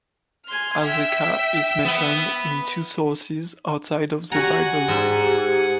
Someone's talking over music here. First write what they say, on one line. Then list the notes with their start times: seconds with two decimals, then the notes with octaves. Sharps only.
Azekah is mentioned in two sources outside of the Bible.
0.46 G#5 C6 F6
0.83 E5 G5
1.85 B3
4.32 F#4 G4 F#5 G#5 A#5
4.88 G#2